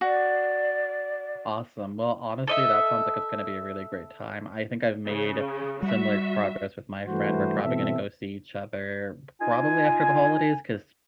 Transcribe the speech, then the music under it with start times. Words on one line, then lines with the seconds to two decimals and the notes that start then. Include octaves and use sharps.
Awesome. Well, honestly, that sounds like it's gonna be a really great time. I think I've made similar progress with my friend. We're probably gonna go see each other probably after the holidays 'cause
0.01 F#4 D5
2.47 A4 D#5 E5
5.08 C#3
5.83 G3 F#4 E5
7.08 G2 E3 A3 F#4 B4 C5
7.64 B2 E3 C4 A4 E5
9.41 D#4 F4 G#5